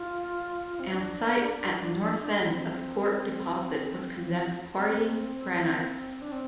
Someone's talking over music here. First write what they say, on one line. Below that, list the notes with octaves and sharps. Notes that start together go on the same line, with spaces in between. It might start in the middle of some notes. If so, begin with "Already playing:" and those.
An site at the north end of Port Deposit was condemned to quarrying granite.
Already playing: F4
C4
D4
C4
C4
D4
C4